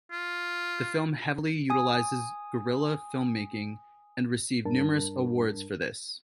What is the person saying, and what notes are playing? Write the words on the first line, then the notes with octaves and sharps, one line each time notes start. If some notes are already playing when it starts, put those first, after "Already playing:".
The film heavily utilizes guerrilla filmmaking and received numerous awards for this.
F4
G#5 D#6
G2 G3 D4 A#4 A5